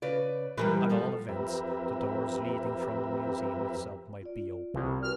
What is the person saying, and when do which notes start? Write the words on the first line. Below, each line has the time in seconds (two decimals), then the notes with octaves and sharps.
At all events, the doors leading from the Museum itself might be open.
0.02 C#3 B4 D5
0.58 G#2 E3 F3 G3 A#4 B4
0.89 G#2 F3 A4
1.29 F2 C4 G4 A#4 B4 E5
4.21 F4 D5
4.74 C2
5.03 F#4 A#4 B4 F6